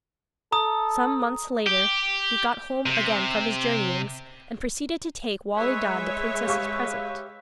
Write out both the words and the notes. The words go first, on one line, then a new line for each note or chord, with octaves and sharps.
Some months later he got home again from his journeyings, and proceeded to take Wali Dad the princess's present.
A4 A#5 D#6
G4
C3
G#3 B4 C#5 E5
G4 F5 C#6